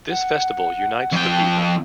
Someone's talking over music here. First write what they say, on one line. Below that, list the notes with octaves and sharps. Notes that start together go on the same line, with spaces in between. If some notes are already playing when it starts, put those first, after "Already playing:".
This festival unites the people.
F#5
F2 G5